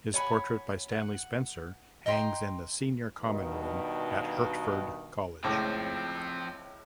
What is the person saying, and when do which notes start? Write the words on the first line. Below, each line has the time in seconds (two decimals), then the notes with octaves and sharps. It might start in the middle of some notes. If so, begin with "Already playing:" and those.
His portrait by Stanley Spencer hangs in the Senior Common Room at Hertford College.
0.14 C#5 F#5 G#5 B5
0.92 F#5
2.06 D#5 G5 A#5 C6
3.22 G2 B2 D#3
5.44 C#2 A2 F3 C4